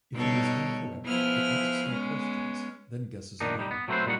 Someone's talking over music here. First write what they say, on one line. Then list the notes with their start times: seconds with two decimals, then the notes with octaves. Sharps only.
If it is incorrect, it asks more questions, then guesses again.
0.14 B2 G3 D#4 A4 C#5
1.05 F3 B3 E4 G#4 F6
1.87 G#3 B3 C#4
3.40 A#2 D#3 D4 D#4
3.59 G3 D#4 G4
3.71 B3
3.88 F#3 A3 C4 F#4 B4 C5
4.06 A#2 G3 D#4 F#4 F#5